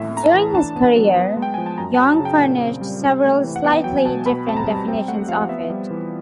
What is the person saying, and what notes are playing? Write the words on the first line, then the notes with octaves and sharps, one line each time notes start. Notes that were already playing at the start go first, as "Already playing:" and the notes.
During his career, Jung furnished several slightly different definitions of it.
Already playing: A2 E5
A3 A#5
A5
E3
D4 A5
B3
F#3
B3
G#3
G5
F3 G#5
A5
F#2 A#5
F#3 A5
C#3
G5
A#2 G5
C4
G3
C3
A3
E3
F#5
B3 G5
F#3 G5
G#5
B2 A5
B2 B5
C4 A5
A#5
G3
C4 G5
A3 F#5
F3 F5
B3 E5
G3
E3